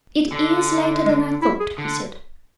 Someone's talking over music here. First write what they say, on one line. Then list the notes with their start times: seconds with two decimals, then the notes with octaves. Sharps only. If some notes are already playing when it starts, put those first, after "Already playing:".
"It is later than I thought," he said.
0.32 D3
1.06 G#3
1.42 E4
1.60 G#4
1.78 D3